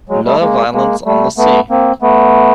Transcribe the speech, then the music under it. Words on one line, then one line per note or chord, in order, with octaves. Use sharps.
Lot of Islands on the sea.
F#3 G#3
G3 A3
G#3 A#3
G#3 A#3
G3 A3
A3 B3
A#3 C4
A3 B3